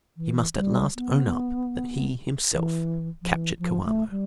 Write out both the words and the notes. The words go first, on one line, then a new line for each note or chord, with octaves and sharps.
He must at last own up that he himself captured Coamo.
E3
G3
B3
E3
F3
E3
F3
A3
G3